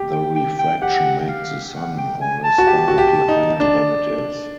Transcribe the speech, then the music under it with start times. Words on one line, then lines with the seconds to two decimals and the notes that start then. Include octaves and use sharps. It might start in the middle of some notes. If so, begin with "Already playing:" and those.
The refraction makes the sun or a star appear higher than it is.
Already playing: G4
0.13 G5
0.36 G5
0.59 G5
0.82 G4 F#5
1.28 F5
1.75 F#5
1.98 G5
2.21 G#5
2.44 A5
2.58 F#4
2.67 G4
2.88 F#4
2.98 G4
3.28 D#4
3.60 D4